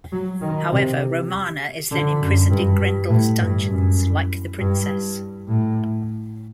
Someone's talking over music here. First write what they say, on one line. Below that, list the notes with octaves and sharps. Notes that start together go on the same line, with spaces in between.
However, Romana is then imprisoned in Grendel's dungeons like the Princess.
F#3
D#3
C3
D3
F#2
G2
G2
A2
G2
F#2
G2
A2